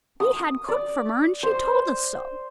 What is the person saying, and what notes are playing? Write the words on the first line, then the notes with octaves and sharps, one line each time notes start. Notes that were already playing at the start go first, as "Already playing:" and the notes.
We had cook from her, and she told us so.'
D#6
D5
C5